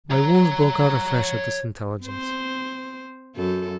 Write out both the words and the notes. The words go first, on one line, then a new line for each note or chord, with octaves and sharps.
My wounds broke out afresh at this intelligence.
C#5 A#5
C4 C5
F#2 A4